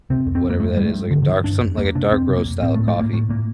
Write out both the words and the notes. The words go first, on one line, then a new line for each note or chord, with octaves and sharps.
whatever that is, like, a dark something like a dark roast style coffee.
C3 C4
F2
C4
F2
A#3
G2 A3
G2 G3
A3
G2
G2 D3
D3
G2 D#3
G2 D4
F2
F2 A#3
C3 D4
F2 C4
C3
A#3
F2
A2 C4
A3
A2
A3
A2 A#3
A2 A3
A2 A#3